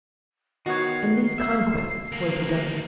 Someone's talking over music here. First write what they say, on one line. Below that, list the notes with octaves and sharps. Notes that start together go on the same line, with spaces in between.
And these conquests were begun.
D#3 B3 F#4 C#5 F5 C7
E5
D2 A#3